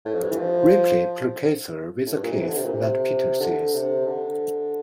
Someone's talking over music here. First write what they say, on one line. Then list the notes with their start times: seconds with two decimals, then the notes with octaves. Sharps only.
Ripley placates her with a kiss that Peter sees.
0.05 A2
0.14 F2
0.22 G2
0.31 E3
0.39 F3
2.06 A2
2.15 G2
2.23 A#2
2.31 C3
2.40 E3
2.48 D3
2.56 C3
2.65 A#2
2.73 C3
3.40 D3
3.74 C3
4.07 D3